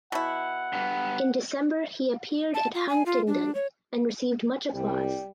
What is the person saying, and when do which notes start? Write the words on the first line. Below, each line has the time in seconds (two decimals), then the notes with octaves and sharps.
In December he appeared at Huntingdon and received much applause.
0.12 B2 E4 F#5
0.73 G2 B3
2.54 A5
2.74 F4
2.89 G#5
3.06 F4
3.27 D4
3.55 C#5
4.74 C2 G3